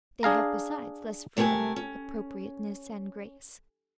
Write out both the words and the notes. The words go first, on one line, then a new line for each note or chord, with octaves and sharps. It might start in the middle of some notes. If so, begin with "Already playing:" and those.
They have besides less freedom, appropriateness, and grace.
D4 G#4 F5 A#5
C3 A3 A#4 B4 G#5 A5
C#4